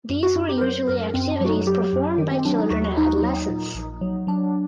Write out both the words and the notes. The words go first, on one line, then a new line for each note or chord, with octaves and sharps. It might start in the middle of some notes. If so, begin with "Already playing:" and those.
These were usually activities performed by children and adolescents.
F#2
F#4
F#2 D#4
G4
A#4
F#3 C5
F#2 A#4
F#2 C4
D4
F#3 F#4
D#4
F#3 G4
F#2
D#3
C4
F#3 D4
D#4
D#2 F#4
D#2 D#4
F#4
F#3 D#4
A#2
A#1
F#3
F#3 D4